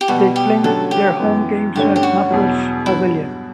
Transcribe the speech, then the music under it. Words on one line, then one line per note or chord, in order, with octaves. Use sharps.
They play their home games at Maples Pavilion.
G4
B2 G3 B3 F#4
G4
D3 F#3 A3 C#4 A4
G4
F#2 E3 B3
G2 D3 A3 C#4 G4
G4
F#4
E2 B2 F#3
G2 F#3 B3 E4